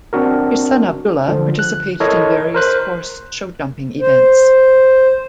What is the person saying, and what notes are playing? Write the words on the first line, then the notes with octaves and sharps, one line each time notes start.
His son Abdullah participated in various horse showjumping events.
C4 D4 F#4 A#4
D3 F3
F#6
E4 A4 A#4 C#5 D#5
A#4 C5 F#6
C5